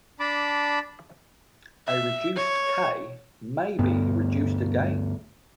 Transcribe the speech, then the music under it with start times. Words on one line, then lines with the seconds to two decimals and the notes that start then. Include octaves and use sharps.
A reduced "K" may be reduced again.
0.20 D4 A5 B5 D6
1.87 E5
2.36 C#5
3.79 D2 G2 B3